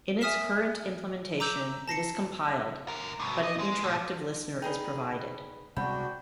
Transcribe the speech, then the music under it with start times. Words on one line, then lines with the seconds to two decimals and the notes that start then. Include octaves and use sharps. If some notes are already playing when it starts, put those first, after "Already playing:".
In its current implementation, it is compiled, but an interactive listener is provided.
0.21 E5 G#5 D#6 F6 B6 E7
1.40 A#5 D6 E6 G6
1.88 A5 A#6 C7 C#7
2.88 D3 A#4
3.20 G2 B2
3.43 D#5
3.59 G#3
3.84 A#2 A3
4.62 D#4 G#4 B4 D5 G5
5.77 C3 G3 G#3 B3 D4 F#4 G5 B5